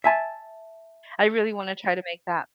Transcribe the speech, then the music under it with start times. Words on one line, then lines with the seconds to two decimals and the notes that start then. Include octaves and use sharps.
I really wanna try to make that.
0.04 E5 G#5 A5